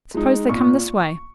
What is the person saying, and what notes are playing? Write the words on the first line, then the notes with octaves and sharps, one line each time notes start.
Suppose they come this way.'
G#3 D#4
A#2 C#6